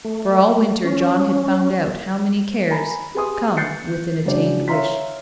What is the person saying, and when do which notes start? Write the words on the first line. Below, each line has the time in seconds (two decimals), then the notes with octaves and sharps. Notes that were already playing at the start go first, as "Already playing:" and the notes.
For, all winter, John had found out how many cares come with an attained wish.
0.05 A3
0.85 C#4
2.70 G#5 A#5 B5
3.15 G4 G#4 B4 G#5 C6 D#6
3.57 F#6 G6 A6 C7 C#7
4.26 C#3 F#3 G#3 D4 D5
4.68 C#5 E5 F5 A#5 C6 B6